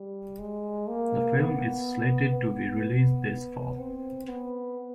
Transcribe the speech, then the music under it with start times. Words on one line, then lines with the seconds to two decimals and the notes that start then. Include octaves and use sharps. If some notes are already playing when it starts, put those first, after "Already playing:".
The film is slated to be released this Fall.
Already playing: G3
0.39 G#3
0.88 A#3
1.36 B3
2.34 B3
2.82 B3
3.78 C4
4.27 B3